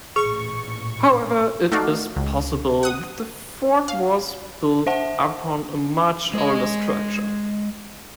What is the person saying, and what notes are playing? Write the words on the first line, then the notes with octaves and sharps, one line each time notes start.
However, it is possible that the fort was built upon a much older structure.
A1 A#2 G#4 C#6
A3 D#4 F#4 A4 D5 F5
C#2
F#5 D#6
F5
C5 E5 F#5 A5
G#3 D#5